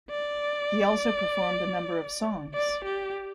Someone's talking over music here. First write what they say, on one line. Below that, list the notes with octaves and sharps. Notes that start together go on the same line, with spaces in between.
He also performed a number of songs.
D5
D5
G4